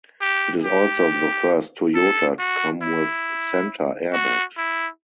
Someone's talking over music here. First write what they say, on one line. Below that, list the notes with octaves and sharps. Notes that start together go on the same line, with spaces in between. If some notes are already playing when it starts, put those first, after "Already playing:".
It is also the first Toyota to come with centre airbags.
G4
G4
A4
F#4
E4
F#4
E4